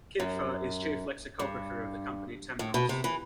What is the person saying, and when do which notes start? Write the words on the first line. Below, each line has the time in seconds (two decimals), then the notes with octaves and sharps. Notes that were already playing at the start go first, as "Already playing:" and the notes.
Kipfer is Chief Lexicographer of the company Temnos.
0.20 F#2
1.39 G2
2.59 A2
2.74 B2
2.89 C3
3.04 E3